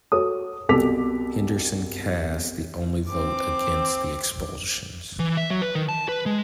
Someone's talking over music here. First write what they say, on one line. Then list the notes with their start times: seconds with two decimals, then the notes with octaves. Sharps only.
Henderson cast the only vote against the expulsions.
0.12 F#4 A4 C#5 D#6
0.69 C2 B2 A4 D6 B6 F7
3.09 C4 D6
5.19 E3
5.37 E5
5.50 F#3
5.62 B4
5.75 D#3
5.89 A5
6.09 B4
6.26 G#3